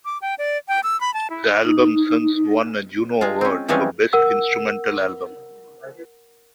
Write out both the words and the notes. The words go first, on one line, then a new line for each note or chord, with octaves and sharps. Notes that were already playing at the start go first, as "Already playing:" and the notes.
The album since won a Juno Award for best instrumental album.
D6
G5
D5
G5
E6
B5
A5
E4
D#4
G#3 F4
C4 C#4
E3 F3 G3 G#3 C4 C#4
A#4 F#5 E6